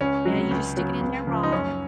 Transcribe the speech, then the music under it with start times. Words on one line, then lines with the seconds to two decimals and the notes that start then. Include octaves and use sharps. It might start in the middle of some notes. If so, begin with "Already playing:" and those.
Eh, you just stick it in there raw
0.01 C#2 C#4
0.25 C3 F#3
0.51 C#2
0.77 C#3 F#3
1.01 C#2
1.27 C#3 F3
1.43 D#4
1.52 F#2 C#4